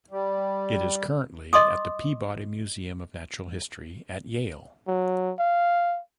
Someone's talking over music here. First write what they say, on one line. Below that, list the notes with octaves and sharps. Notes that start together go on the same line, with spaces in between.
It is currently at the Peabody Museum of Natural History at Yale.
G3
D#5 C6 D6 D#6
F#3
F5